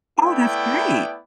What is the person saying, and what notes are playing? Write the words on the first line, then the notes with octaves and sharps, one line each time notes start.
Oh, that's great.
A3 B3 E4 D5 G5